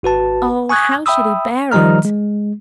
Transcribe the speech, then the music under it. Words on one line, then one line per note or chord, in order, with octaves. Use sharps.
Oh! how should he bear it?
G#1 F#4 B4 A5
G#5 C#6 D#6 F#6 G#6
E5 G5 B5 D#6 E6
D#3 F3 G3 D#5 A#5 F6
G#3